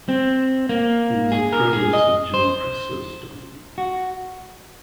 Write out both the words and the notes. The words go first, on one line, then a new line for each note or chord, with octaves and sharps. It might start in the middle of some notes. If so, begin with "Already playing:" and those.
He was a friend of Saint John Chrysostom.
C4
A#3
G#4
A#4
G#4
D#5
C5
F#4